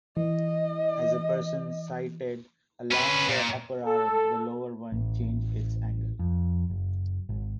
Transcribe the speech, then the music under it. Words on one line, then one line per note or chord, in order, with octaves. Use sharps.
As a person sighted along the upper arm, the lower one changed its angle.
E3 D#5
C#4 B4
A#2
A4
A1
F2
F#1
G#1